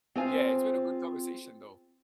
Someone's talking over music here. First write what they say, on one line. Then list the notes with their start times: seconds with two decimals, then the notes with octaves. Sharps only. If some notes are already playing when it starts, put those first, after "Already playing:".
Yeah, it's been a good conversation, though.
0.15 C4 F4 G#4 C5 G#5